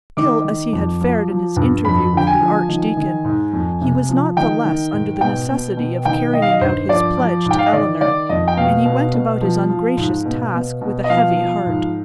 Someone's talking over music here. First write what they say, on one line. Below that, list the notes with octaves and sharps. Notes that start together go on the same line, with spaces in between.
Ill as he had fared in his interview with the archdeacon, he was not the less under the necessity of carrying out his pledge to Eleanor; and he went about his ungracious task with a heavy heart.
D#3 D6
D#3
F2
F3
F3
G2
F2 B5
D3 G5
G#5
F3
D#3
D#3
G#2
F2
C3
F3
D#3 G5
D#3
G#2
B2 G5
B2
B2
D#3 G5
D#3 D#5
F5
D#5
G2 C5
F3 D5
F3
G#2
G5
F5
D#5
D#3 D5
D#3 D5
F2 D#5
G5
B2 F5
B2
B2
F3
F3
G#2
B2
B2
B2
D#5
F3 F5
F3
G#2